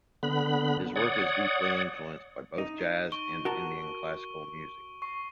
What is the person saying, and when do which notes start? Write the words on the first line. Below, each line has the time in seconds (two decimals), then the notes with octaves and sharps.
His work is deeply influenced by both jazz and Indian classical music.
0.23 D3 B3 B5
0.96 C#5 D5 F#5 D#6
2.58 D#4
3.12 C#6 D7 G7
3.45 F#4 A#4 A5
5.02 C#6 C7